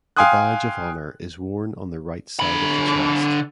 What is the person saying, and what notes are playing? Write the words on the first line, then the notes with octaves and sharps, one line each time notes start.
The badge of honor is worn on the right side of the chest.
F5 G5 G#5 C6 D#6 F#6
D3 B5